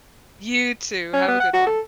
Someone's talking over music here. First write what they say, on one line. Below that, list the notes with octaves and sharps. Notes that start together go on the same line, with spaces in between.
You too, have a good one.
C#4
B3
F#5
F#4
A4